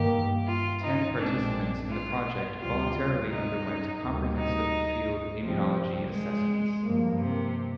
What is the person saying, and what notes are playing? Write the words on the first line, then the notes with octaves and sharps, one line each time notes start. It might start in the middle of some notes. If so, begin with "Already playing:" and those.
Ten participants in the project voluntarily underwent comprehensive field immunology assessments.
Already playing: G2 D#3 A#3 G4
F4
D#4
A#1 A#2 G#3 C4 D4
F4
D2 C3 G3 C4 F4
D#4
D2 C3 G3 A#3
D#4
C2 C3 F3 G3 C4
G#3
G2 F3 A#3
C3